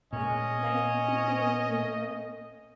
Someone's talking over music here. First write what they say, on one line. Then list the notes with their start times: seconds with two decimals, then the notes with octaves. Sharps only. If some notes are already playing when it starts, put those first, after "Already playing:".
Well, nice speaking with you
0.13 A#2 C#4 D#5